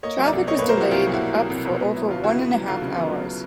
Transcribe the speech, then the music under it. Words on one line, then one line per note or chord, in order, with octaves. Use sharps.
Traffic was delayed up for over one and a half hours.
A#3 C#5 D#5
F#3
D5 E5
C2
B2 C#5 D#5
A#3 B4 C#5
A#4 C5
F#3 E4 F#4
C2 F4 G4
B2
E4 F#4
A#3
F#3
C2
B2
B3
F#3 E4
D2 F4
C#3 E4 F#4
B3
F#3
D2 F4
C#3
B3
F#3